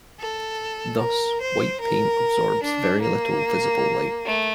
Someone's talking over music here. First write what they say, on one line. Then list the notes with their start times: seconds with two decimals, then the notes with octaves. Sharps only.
Thus white paint absorbs very little visible light.
0.19 A4
1.00 A#4
1.41 C5
1.82 A#4
2.62 D4
3.03 A#3
4.25 A3